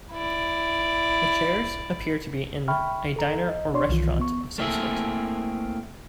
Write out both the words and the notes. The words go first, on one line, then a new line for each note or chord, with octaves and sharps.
The chairs appear to be in a diner or restaurant of some sort.
E4 D5
E5 G5 B5 C#6 F6
A4 A#5
D#5
D4 C#5 D5 C6 C#6
C2 D#3 E3 F4
B3 C#6
A3 A#3 C4 E4 G#4 E5